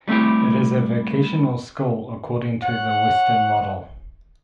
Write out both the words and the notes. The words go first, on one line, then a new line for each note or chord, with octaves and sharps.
It is a vocational school according to the Western model.
G3 A3 C4 E4 G4
C#5 F#5